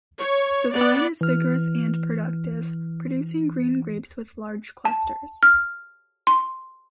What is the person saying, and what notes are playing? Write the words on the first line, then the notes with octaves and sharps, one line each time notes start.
The vine is vigorous and productive, producing green grapes with large clusters.
C#5
B3 D5
E3 F6
A5
F6
C6